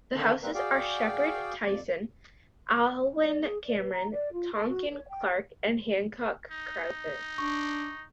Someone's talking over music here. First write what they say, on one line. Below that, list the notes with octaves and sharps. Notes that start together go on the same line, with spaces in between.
The houses are Sheppard Tyson, Aylwin Cameron, Tonkin Clarke and Hancock Crowther.
D3 D#3 A#3 D#4 A4
G3 A#3 C4 A#4 B4
F#4 G#4 D5 F5 G5
F2 D5
D5
G#4
D5
B4
A#5
D5
F4
A4
F#4
C#5
G5
D#4
D4 C#6